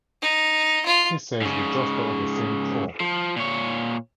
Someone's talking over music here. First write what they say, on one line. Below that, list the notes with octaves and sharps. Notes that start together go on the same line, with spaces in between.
He says we jostle at the same trough.
D#4
F4
G#2 C#3
F3
A#2 C#5